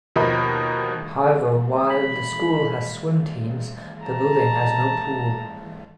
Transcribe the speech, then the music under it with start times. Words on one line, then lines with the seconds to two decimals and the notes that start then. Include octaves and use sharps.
However, while the school has swim teams, the building has no pool.
0.16 D#2 B2 F3 A#4 D#5 B5
1.78 D#6
1.90 B5
4.05 A5 A#5